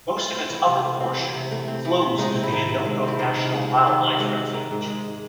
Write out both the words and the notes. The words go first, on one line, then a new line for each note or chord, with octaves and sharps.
Most of its upper portion flows through the Innoko National Wildlife Refuge.
A3 F4
C4
E3
C3
A3
C4
E3
C3
A3
C4
E3
C3
G#3 D#4
C4
E4
D#3
C3
G#3
C4
E4
D#3 F4
C3
G#3
C4
D#3
C3
G#3 F#4
G#2
D#3
G#2
G#3